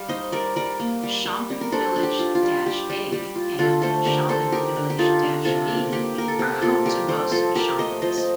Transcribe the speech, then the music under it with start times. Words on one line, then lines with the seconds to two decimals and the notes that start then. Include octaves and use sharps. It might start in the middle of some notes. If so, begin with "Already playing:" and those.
Shompen Village-A and Shompen Village-B are home to most Shompens.
Already playing: G3 F5
0.08 D#4 C5 D#5
0.32 G3 A#4 D5
0.56 G3 A#4 D5
0.80 A#3
1.03 G3
1.25 G3
1.50 G3
1.61 A#4
1.72 D4 A4 C5
1.96 D4
2.03 G4
2.19 F4
2.35 F4
2.43 G3
2.66 G3 G4
2.90 G3
3.12 G3 G4
3.35 F4
3.59 D3 F4 A4
3.82 A3 A4 C5
4.05 D3 G4 A#4
4.29 D3 A4 C5
4.52 D#4 G4 A#4
4.76 D3
4.90 G4
4.98 D#4 F4 A4
5.23 D3
5.45 C3 F4 A4
5.68 A#3
5.92 A#3 G4
6.15 A#3 A#4
6.28 A4
6.39 C3 G4
6.62 A#3 F4 A4
6.85 G3 G4 A#4
7.08 G3 A4 C5
7.31 F3 A4 C5
7.55 F3 G4 A#4
7.78 A3 C5 D#5
8.02 F3 C5 D#5
8.18 D#5